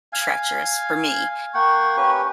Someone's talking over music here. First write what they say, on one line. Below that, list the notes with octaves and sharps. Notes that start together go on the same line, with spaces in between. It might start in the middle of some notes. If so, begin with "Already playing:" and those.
treacherous for me,
F5 G#5
A#3 F#5 G5 C#6
C#4 G4 B4